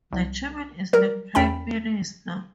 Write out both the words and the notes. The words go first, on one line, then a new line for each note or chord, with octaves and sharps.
The chairman is the prime minister.
C2
F#3 G3 A#4
E2 C#4 G5 B5